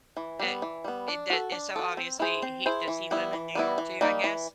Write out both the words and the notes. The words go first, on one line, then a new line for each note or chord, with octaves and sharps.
It it doe and so obviously he does he live in New York too, I guess?
E3
G3 B3
E3
G3 B3
D4
F#4 A4
D4
F#4 A4
C4
E4 G#4 C5
C4
E4 G#4 C5
E3
G3 B3 E4
E3
G3 B3 E4
E3
G3 A#3 D#4
E3